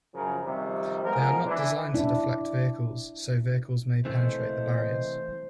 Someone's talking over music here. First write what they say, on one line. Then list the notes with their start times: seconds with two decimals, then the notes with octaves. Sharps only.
They are not designed to deflect vehicles, so vehicles may penetrate the barriers.
0.14 F#2 C#3 F3 A#4
0.45 C3 D#3 F3 G3
1.03 F3 G#3 B3 A#4
1.46 E3 D4
1.94 D4 E4
4.05 C3 E3 A3 A#3 A4 C5 D#5